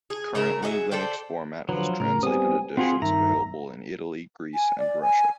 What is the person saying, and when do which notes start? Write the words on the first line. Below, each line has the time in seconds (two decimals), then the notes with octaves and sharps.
Currently Linux Format has translated editions available in Italy, Greece and Russia.
0.10 G#4
0.35 C#3 A#4 E5
0.62 F#4 G#4 D#5 E5
0.91 A4 C5 D5 G5
1.69 D3 F3 F#3 B4
2.00 A2 C#3 A#4
2.23 G3 B3 C4 G#5 D#6
2.77 C4 F4 F#4 G#4 F#5 B5
3.02 G2 D#3 E5 A#5
4.55 G#5
4.78 D5
5.02 G#5